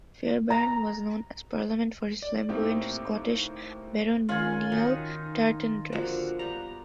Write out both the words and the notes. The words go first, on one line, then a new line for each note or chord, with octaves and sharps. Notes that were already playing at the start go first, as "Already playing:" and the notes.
Fairbairn was known at Parliament for his flamboyant Scottish baronial tartan dress.
A#5
D5
A2 A#3 C4 D#4 G4 E5
D#3 C#4 F4 G#5 B5
D#3 D#4 F#4
D3 F3 A#3 F#4
G3 B3 G4 A#5